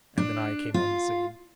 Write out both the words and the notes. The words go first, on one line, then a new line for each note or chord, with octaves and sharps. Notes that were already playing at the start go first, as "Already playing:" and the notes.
And then I came on the scene.
D4
F4